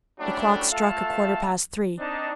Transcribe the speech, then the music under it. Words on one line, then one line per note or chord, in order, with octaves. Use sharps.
The clock struck a quarter past three.
A2 F#3 G3 A3 C#4 D4
A3 F4 A4 E5 F5 A5
C4 D4 D#4 A5